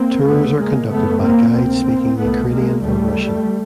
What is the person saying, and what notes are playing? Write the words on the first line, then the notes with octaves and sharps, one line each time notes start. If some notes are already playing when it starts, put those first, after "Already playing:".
Tours are conducted by guides speaking Ukrainian or Russian.
Already playing: A#3 C4
D#2 C#3 A3 B3
G#3 A#3
F#2 C#3 A3 B3
A#3 C4
D2 C3 A#3 C4
C2 A#2 A3 B3
G#3 A#3
D2 C#3 G3 A3